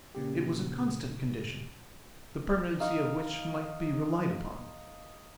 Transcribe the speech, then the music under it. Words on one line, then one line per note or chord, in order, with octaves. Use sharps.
It was a constant condition, the permanency of which might be relied upon.
A#2 C#3 G4
D#4 F5 C#6